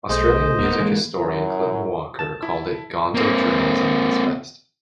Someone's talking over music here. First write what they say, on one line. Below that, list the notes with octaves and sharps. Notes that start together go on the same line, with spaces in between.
Australian music historian Clinton Walker called it "gonzo journalism at its best".
B1 A3 G#4 C5 D#5
D1 A#3 B3
E3 G#3 A#3
F#2 E4
A5
E4
A#3 C4